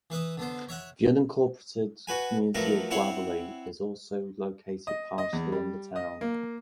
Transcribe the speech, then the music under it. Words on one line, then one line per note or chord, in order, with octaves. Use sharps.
The unincorporated community of Waverly is also located partially in the town.
E3 B4 E5 D#6
D3 B3 C5
C#5 E5 F#5
F#4 B4 G#5
F3 F#3 A3 A#4 B4
C4 E4 C#5 F#5
D#5
D#5
E2
G3
D#5
A#3